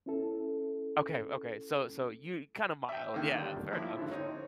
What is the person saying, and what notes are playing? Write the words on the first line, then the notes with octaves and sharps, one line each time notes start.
Okay, okay, so so you kinda mild, yeah, fair enough,
C#4 E4 A4
E5 G5
D3 D#3 A#3
G3 D5
F3 A#3 E4
G#1 D3
C4 C#4 D#4 C#5